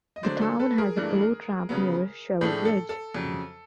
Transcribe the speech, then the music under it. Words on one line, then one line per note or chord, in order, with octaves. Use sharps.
The town has a boat ramp near Schell Bridge.
D#5
D3 F#3 A3 D4 C5 D5
A4
A4 B4
G#4 A#4
G2 E3 A3 D4
C#3 F#3 B3
A2 F3 A3 D4 G#4
A4
A4
F2 C#3 F#3